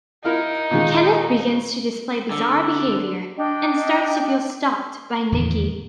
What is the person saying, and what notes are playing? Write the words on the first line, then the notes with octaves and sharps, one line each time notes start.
Kenneth begins to display bizarre behavior, and starts to feel stalked by Nikki.
D#4 E4 A#4 F5
A#2 D#3 G#3
D3
D4 D#5 G5
E2 A2 D3 D#3